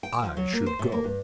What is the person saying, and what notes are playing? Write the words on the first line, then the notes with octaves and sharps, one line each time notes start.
"I should go."
G5
F3
F#3
A#3
C5
A2
A#3
G2